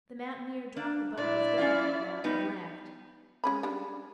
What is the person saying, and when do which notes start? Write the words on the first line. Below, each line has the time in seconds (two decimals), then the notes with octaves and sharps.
The mountaineer dropped the butt of his gun to the ground and laughed.
0.76 D4
1.17 A#2 E4 D5
1.58 C#4 F4 F5
2.24 G3 B3 D#4
3.44 G#3 C#4 B5
3.63 G3 D4